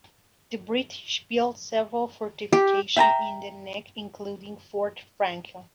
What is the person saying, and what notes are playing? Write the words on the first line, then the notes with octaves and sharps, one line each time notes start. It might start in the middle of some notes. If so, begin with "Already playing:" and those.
The British built several fortifications in the neck, including Fort Franklin.
G4
E5 G5 A5 A#5